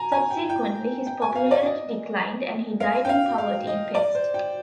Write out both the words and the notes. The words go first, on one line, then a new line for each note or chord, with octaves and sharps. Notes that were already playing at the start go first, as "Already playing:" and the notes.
Subsequently, his popularity declined, and he died in poverty in Pest.
Already playing: G#5 A#5
G#5
G5
G5
G5
G#5
F5
D5
D#5
F5
G5
F5
F5
D#5
D5
C5
G5